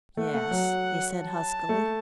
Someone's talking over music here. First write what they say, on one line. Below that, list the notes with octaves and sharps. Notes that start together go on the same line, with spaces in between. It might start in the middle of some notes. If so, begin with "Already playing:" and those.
"Yes," he said huskily.
A3 F#5
A3
F#3
A5
A3